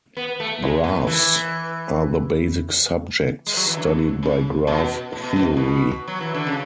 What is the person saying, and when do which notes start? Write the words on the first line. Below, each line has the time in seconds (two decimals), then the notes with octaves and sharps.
Graphs are the basic subject studied by graph theory.
0.17 B3
0.40 A3
0.62 G#3
0.84 A2
1.07 E3
3.46 G#3
3.57 F#3
3.67 E3
3.77 D3
4.23 C#3
4.67 B2
5.13 A2
5.24 B2
5.36 A2
5.57 B2
6.08 F#3
6.21 E3
6.34 D3
6.47 C#3